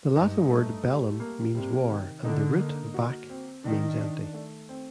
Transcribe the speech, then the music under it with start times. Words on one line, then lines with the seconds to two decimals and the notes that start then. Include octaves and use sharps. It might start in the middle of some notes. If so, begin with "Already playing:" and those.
The Latin word "bellum" means war, and the root "vac-" means empty.
0.15 G2 D#4
0.50 A3
0.85 G3
1.20 A#3
1.55 C3 G3
1.90 D#3
2.24 D3 D#4
2.59 A#3
2.94 F#4
3.29 C4
3.64 D#3 D4
3.99 D4
4.33 A3
4.69 C4